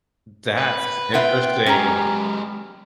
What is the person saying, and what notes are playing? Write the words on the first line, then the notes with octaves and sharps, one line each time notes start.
That's interesting.
B4
B3 F4 E5 G5
G#3 C#4 G4 A#5